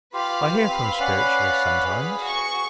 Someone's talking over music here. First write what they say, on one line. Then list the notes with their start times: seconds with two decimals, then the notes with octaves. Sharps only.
I hear from spiritualists sometimes.
0.14 F4 G4 B4 F5 B5
0.68 C4
1.00 C#4 D5 F#5
1.89 G#4
2.21 F#4 C#6